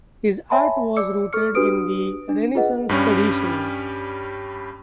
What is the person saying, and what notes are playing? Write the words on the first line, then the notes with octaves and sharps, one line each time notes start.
His art was rooted in the Renaissance tradition.
C#5 E5 G#5 A5 B5 C6
D5 D6 E6 C#7
A4 C#6 F6 C#7
D4 F#4 G4 B4 D#6 D7
D4
F4 G#4 B4 D#5 F#5
G2 G3 C#4